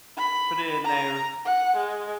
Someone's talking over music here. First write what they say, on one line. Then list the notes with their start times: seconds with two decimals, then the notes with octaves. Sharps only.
put it in there,
0.17 B5
0.84 A#5
1.45 F#5
1.76 G#3